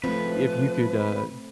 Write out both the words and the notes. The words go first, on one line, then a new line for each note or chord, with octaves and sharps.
if you could, uh,
F3 A3 C4 B4